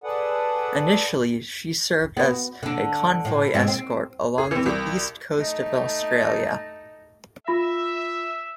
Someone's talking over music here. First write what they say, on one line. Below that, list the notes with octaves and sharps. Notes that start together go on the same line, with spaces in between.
Initially, she served as a convoy escort along the east coast of Australia.
G#4 A4 B4 D5 F#5
B3 F#4
D3 D4
A2
G#2 G#3 C4
C4
G#4
E3 C4
C2
A3 D#4
F4 E5 B5 A#6